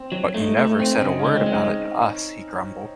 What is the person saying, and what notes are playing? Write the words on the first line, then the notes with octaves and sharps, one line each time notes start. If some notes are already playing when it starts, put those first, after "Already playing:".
"But you never said a word about it to us," he grumbled.
Already playing: C4
F#3
A3 D#4
A3
C4
C#3 D#4
G#3 C#4
C4
G#3
D#4